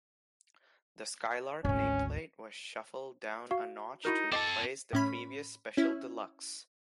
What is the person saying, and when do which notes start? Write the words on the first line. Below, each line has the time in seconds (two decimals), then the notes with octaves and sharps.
The Skylark nameplate was shuffled down a notch to replace the previous Special Deluxe.
1.65 G#1 D2 C#4
3.51 F#4 F5
4.05 D#4 E4 F#4 A#4
4.32 C4 A4 D#5 A5 D6
4.93 A2 C#4 B5
5.77 C#4 E4